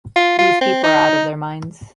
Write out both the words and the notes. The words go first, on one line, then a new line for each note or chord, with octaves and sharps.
These people are out of their minds.
F4
F4
C4
D#4